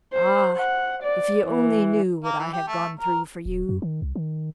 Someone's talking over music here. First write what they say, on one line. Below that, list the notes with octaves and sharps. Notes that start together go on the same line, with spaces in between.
Ah, if you only knew what I have gone through for you!
C5
F#5
D5
E3
A#3
E3
G4
A3
A#4
D#1
F#2
D#3
C2
D#3